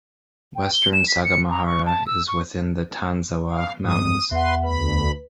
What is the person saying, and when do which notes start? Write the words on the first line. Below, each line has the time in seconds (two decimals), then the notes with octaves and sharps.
Western Sagamihara is within the Tanzawa Mountains.
0.56 G5
0.73 G7
0.93 E7
1.08 B6
1.25 C#7
1.50 A#5
1.66 C#6
1.86 A5
2.07 E6
2.28 C#6
3.50 F5
3.85 G2 G#3 C4 D#6
4.31 E2 B4 E5 F#5 C6
4.63 D2 B4 B5